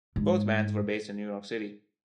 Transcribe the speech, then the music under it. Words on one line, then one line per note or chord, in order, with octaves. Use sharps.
Both bands were based in New York City.
G#2